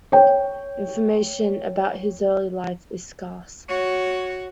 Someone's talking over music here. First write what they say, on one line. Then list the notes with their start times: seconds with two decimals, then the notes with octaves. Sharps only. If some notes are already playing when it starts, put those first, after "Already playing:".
Information about his early life is scarce.
0.12 C#5 G5
3.69 F#4 C#5